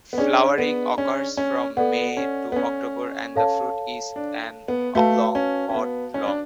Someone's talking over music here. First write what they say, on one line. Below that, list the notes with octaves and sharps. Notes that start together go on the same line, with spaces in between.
Flowering occurs from May to October and the fruit is an oblong pod long.
B3
C#4 D4 G#4 D5
B3
C#4
C#4
B3 A4 D5 F#5
C#4
B3
C#4
A4 C#5 F5 A5
D4
B3
A3 F#4 B4 F5 A5
C#4
C#4
B3
C#4
D4